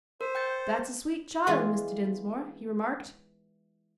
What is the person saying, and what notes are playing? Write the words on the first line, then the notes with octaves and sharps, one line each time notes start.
"That's a sweet child, Mr. Dinsmore," he remarked.
A#4 C5
G5 G6 A6
E3 G#3 B3 D4 E4 F4